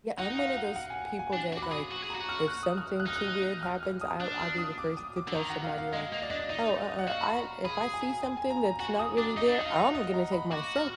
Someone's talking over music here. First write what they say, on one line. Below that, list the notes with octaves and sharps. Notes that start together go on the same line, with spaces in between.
Yeah, I'm one of those people that, like, if something too weird happens, I'll I'll be the first to tell somebody like, oh, uh, uh, I if I see something that's not really there, I'm gonna take myself
D#4 F#5
F5
F#5
F#5
G#5
G#5
G#5
D4
F#4
D6
B5
G#4
F#4
G#4
F#4 A#5
F6
F#6
D#6
F6
F#6
D#4 F6
F#6
F6
F6
D#6
D4 F#6
F6
D#6
D6
D#6
D6
D3
D#3 A#5
F#5
F5
F5
G#3 D#5
A#3
D5
D4 D#5
D5
D#4 D#5
D5
D#5
F#5
F#4 F5
B5
A#5
G#4 B5
G#5
G#5
G#5
A#5
A#5
F#4 G#5
D#6
D4 D6
D#4 D#5
D4 D#5
D#4
F5
F#5
D#5
A#5
B5
F#4 D6
F6